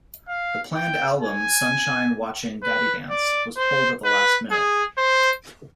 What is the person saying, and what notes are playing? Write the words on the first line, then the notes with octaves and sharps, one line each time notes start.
The planned album, "Sunshine Watching Daddy Dance", was pulled at the last minute.
F5
G5
G#5
B4
D5
C5
B4
G#4
C5